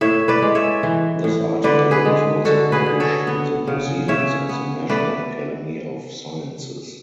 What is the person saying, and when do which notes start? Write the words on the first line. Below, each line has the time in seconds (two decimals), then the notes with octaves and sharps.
This article was also published in the Proceedings of the National Academy of Sciences.
0.01 A2 C#5 E5
0.28 B4 D5
0.42 G#3
0.55 C#5 E5
0.83 E3
1.24 A2
1.64 D3 B4 D5
1.91 G#4 B4
2.05 G#3
2.45 D3 F#4 A4
2.72 G#4 B4
2.86 D3
3.00 A4 C#5
3.27 B3
3.67 C#3
4.08 C#3 C#5 E5
4.49 B3
4.89 A3 B4 D5